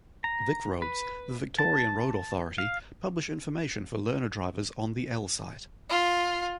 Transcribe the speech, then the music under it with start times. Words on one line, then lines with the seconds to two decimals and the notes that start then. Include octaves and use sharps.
VicRoads, the Victorian road authority, publish information for learner drivers on the L-Site.
0.24 A#5
0.82 B4
1.59 A5
2.58 F5
5.90 F4